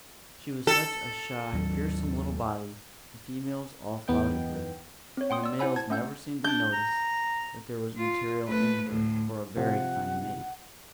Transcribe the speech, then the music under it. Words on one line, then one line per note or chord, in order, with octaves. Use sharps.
She was such a shy, fearsome little body, the females all flouted her; and the males never seemed to notice that there was material in her for a very fine mate.
A4
D#2 F#3
E2 B3 D#4 G5
C4 C#5
F#5 G5 C6 D#6
D5 E6
E4 C5 F#5 G#5 B5 E6
A5 G#6
A3 C#4 F#5 E6 G6
D4 G6
A#5
F4
A3 B4
D2 A2
C3 F3 F#5